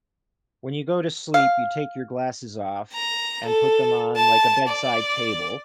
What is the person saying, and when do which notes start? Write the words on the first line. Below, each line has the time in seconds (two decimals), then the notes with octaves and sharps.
when you go to sleep, you take your glasses off and put them on, like, a bedside table.
1.34 F5
2.93 A#5
3.45 A4
4.16 A5
4.68 D5